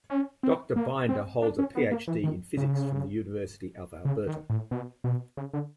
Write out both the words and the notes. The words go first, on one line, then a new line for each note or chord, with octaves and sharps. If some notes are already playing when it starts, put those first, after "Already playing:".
Doctor Binder holds a Ph.D. in physics from the University of Alberta.
C#4
C4
A#3
C4
D4
C#4
B3
A#3
E3
D#3
C#3
C#3
D#3
A2
B2
B2
C#3
D3